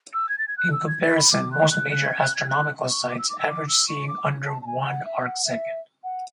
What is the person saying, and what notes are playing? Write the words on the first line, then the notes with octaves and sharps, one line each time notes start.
In comparison, most major astronomical sites average seeing under one arcsecond.
E6
G#6
A6
G#6
F#6
E6
G#6
A6
B5
D6
F#6
F#6
F#6
G#6
F#6
G#6
F#6
C#6
D6
E6
D6
E6
D6
E6
C#6
D6
A5
A5
G#5
F#5
E5
F#5
E5
F#5